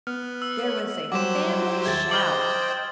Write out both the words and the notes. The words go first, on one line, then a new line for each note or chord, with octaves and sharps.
There was a family shout.
B3 F6
E6
C#5
F#3 G3 G4 C5 F#5 D6 E7
D#2 G#4 E5 G#6 A6
C5 D#5 G5 D6 F6 G6 F#7 G7